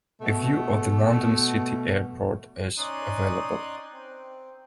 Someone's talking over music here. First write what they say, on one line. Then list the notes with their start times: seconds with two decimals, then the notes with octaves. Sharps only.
A view of the London City Airport is available.
0.21 B2 A3
2.78 C#4 D#4 D5 C6 D#6 F#6
3.92 C4